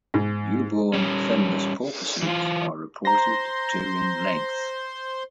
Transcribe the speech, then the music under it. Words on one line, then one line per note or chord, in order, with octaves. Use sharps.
Newborn finless porpoises are reported to in length.
G#2
G3 C#4
E3 F4
C5 A#5 C6 A#6